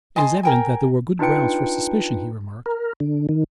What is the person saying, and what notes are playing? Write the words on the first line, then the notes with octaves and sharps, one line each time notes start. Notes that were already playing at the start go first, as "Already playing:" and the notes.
"It is evident that there were good grounds for suspicion," he remarked.
D#5 G#5 A5 C6
A#4 G5 G#5
D4 D#4 F4 B4 G5 C#7
A#4
D3
D#3